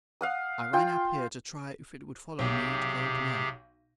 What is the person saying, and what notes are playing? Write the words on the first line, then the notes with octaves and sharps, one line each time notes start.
I ran up here to try if it would follow me into the open air.
F5 F#5 D#6
F4 G5
B1 C3 G4 G#4 G5